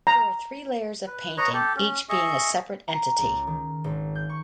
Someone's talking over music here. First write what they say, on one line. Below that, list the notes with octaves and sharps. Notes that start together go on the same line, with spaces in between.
There are three layers of painting, each being a separate entity.
A#5
B4
B4 C#5 D#5 A#5
G4 A4
C#4
G#4 D#5 E5 C#6
A#5
C#2
D#3
G#1
G6
C#6